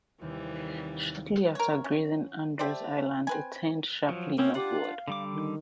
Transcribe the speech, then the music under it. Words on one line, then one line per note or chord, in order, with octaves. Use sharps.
Shortly after grazing Andros Island, it turned sharply northward.
D#2 C3 E3 G3
A#4 C#5
C#4
A3 G4 C5 D5
C4 B4 G#5
F3 F#3
A#3 C4 C#4 C#5
D4 F4 G4 F#5
F5
D3 G3 D6
D#3